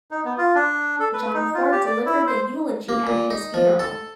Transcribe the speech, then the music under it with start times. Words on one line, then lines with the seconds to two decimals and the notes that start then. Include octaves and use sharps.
John Ford delivered the eulogy at his funeral.
0.11 D#4
0.25 B3
0.38 F4
0.55 D4
1.00 A4
1.13 B4
1.34 D#4
1.54 F4
1.72 G4
1.86 D5
2.06 E4
2.27 C5
2.89 A#3
3.07 A#2
3.30 D#4
3.54 F3
3.79 A4